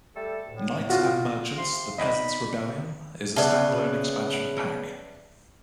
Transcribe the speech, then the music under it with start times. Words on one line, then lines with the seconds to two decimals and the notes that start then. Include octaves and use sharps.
"Knights and Merchants: The Peasants Rebellion" is a standalone expansion pack.
0.15 G3 A3 A4
0.47 D2 A2
0.89 F4 F#4
1.58 C3 F5 C6
1.98 D#4 D5 D#5 B5
3.36 C#3 B3 D5 E5 A5